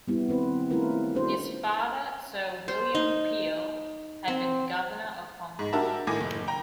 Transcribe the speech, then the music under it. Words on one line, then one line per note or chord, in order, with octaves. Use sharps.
His father Sir William Peel had been Governor of Hong Kong.
G3 B3 E4 G4
D#3 C4 B4 C5
A3 C#4 E4 F4 A#4 B4
C#4 D4 F#4 A4 C5
C5
D#4
C4
G#2
D4 F#4 G4 A#4 E5 A5
A2 D#3 G#5 D6 A#6
F#1
G5 A#5